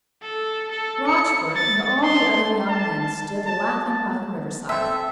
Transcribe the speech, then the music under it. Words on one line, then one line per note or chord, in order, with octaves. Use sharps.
Rochfort, and all the other young men stood laughing by the river side.
A4
A4
C#7
A6
C6
A5
A5
C4 A4 E5